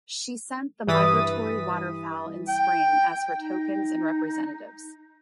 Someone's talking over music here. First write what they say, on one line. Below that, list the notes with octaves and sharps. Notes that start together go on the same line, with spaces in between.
She sent the migratory waterfowl in spring as her tokens and representatives.
G2 E3 D#6 A6 B6 D#7
G5
D#4